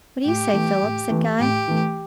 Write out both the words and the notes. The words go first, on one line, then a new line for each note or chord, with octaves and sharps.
'What do you say, Philip?' said Guy.
A2 G4
E3 A3
A2
E3 A3
A2 G4
E3 A3